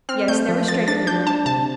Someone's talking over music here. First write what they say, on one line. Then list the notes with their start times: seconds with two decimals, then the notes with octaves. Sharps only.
Yes, there was strength in them.
0.09 C4 F6
0.28 A3 G6
0.49 F3
0.68 F3 A6
0.88 D4 A6
1.07 D4 G6
1.27 D4 A5
1.46 C3 A5